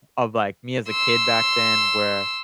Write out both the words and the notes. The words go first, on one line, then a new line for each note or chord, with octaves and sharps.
of, like, me as a kid back then where
C6 E6